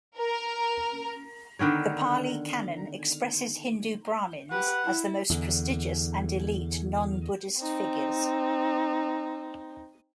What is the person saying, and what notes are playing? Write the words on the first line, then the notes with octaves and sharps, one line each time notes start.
The Pali Canon expresses Hindu Brahmins as the most prestigious and elite non-Buddhist figures.
A#4
D3 D#3 B3 C#5
G4 B4 F#5
E4
E2 D3
C4 D#4